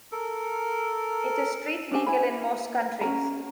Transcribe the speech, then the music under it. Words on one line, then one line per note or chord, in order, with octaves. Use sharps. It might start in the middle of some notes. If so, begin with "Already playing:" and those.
It is street legal in most countries.
A4 A#4
C#4 D4 G4 G#5
E4 G#5 B5
C#4 A#4 A#5